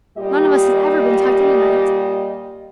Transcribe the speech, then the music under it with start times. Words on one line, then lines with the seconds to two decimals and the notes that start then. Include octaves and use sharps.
"None of us has ever been tucked in at night."
0.17 A#2 G3 G4 D#5